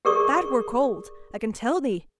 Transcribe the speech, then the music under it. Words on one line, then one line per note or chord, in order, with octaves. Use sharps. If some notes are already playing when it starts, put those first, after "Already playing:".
That were cold, a can tell the'!
G4 G#4 A#4 D5 C#6 D#6